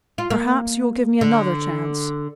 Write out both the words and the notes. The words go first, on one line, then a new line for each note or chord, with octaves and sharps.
"Perhaps you will give me another chance?"
F4
A#3
D3